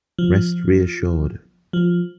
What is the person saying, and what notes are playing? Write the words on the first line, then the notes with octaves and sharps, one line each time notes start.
Rest reassured.
F3
F3